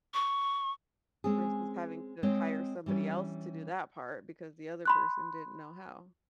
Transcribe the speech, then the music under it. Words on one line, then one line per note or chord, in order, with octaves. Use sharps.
versus having to hire somebody else to do that part because the other person didn't know how.
C#6
G#3 C4 C#4 G#4
G#3 C4 C#5 D#5
E3 G3 C#4 D4
B5 C6 F#6